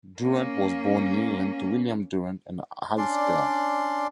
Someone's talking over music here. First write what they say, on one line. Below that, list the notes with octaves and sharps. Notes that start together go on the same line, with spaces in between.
Durant was born in England to William Durant and Alice Pell.
A#3 C#4
C#4 D4 D5 C6